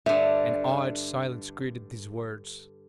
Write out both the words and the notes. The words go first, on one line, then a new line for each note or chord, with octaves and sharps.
An awed silence greeted these words.
G2 D3 E5